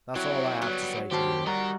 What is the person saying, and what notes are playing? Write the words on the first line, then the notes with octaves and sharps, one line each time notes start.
That's all I have to say to you.
F#3 C4 E4 C#5
F#3 G3 B3
D#2 F#4 G4 C5 A5
G3 F#4 A#4 D5 D#5 A#5